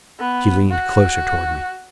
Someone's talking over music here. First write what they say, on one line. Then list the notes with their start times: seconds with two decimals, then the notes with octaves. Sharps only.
She leaned closer toward me.
0.19 B3
0.70 F#4